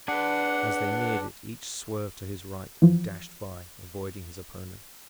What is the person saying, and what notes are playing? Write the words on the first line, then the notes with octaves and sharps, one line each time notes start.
As they neared it each swerved to his right and dashed by, avoiding his opponent.
D4 G#4 B4 F#5
E3 F3